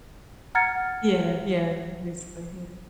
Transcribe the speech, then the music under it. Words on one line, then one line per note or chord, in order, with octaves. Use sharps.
Yeah, yeah, basically, yeah.
F#5 A#5 F6 G#6 A6 C#7